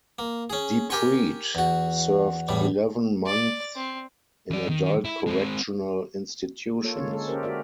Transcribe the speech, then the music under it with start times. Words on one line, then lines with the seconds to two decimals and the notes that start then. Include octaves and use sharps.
DiPrete served eleven months in Adult Correctional Institutions.
0.19 A#3
0.50 C#4 G#4
0.90 G4 A#4 G5 G#5 C#6
1.55 E2 F#4
2.49 E2 A2 G3
3.26 D5
3.76 C4
4.51 E3 D5
4.69 D#3
5.05 E4
5.27 G#3 C4
6.83 A#3 F4 A4 C#5
6.97 D3 G#3 A#3 C#4 C#5
7.11 G#3 A4
7.28 C#4 G4 A#4 C5
7.43 F#4 A#4 D5 E5